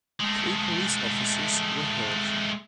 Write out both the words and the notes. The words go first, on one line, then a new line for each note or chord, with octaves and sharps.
Three police officers were hurt.
G#3 A3